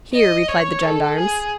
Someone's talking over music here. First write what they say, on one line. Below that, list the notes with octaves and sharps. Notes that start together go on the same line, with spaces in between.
"Here," replied the gendarmes.
D#5
C#5
A4
G#4